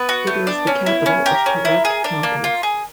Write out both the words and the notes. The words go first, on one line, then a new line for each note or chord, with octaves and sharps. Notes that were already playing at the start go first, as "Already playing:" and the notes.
It is the capital of Turek County.
Already playing: B3 B4
F#4
A3
D4
C#4
E4
C#4
G4 A#4
C#4
E4
G#4
D4
A#3
F4
G#4